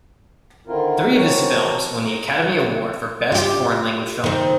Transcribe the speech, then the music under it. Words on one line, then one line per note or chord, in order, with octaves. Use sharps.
Three of his films won the Academy Award for Best Foreign Language Film.
D3 D#3 C4 E4 F4 A#4
E3 F3 C4 F#4 A#4 C#5
A#5
F4 G4
D#3 C4